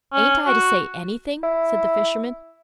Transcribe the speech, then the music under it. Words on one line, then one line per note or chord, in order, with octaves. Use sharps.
"Ain't I to say anything?" said the fisherman.
C#4
F#4
E4